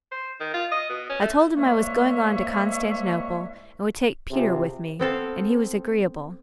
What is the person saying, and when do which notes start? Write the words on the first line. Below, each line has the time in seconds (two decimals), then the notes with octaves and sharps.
I told him I was going on to Constantinople and would take Peter with me, and he was agreeable.
0.11 C5
0.40 D#3
0.54 F4
0.71 D#5
0.89 B2
1.09 C#4
1.21 A3
1.56 C2 G#3 A#3 C#5 E5
4.31 C3 F4 G#4 C5
4.99 B3 C4 A4 F5